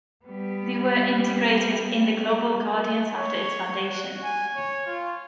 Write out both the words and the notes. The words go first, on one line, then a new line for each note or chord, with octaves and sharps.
They were integrated in the Global Guardians after its foundation.
G3 B3
C#5
F#4
G#5
C#5
F4